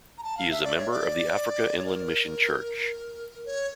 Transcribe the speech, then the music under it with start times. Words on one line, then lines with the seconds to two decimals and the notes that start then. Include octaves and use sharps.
He is a member of the Africa Inland Mission Church.
0.18 A#5
0.23 A5
0.37 F5
0.51 E5
0.64 D5
0.78 C#5
0.91 D5
1.78 C#5
1.85 A#4
3.46 C#5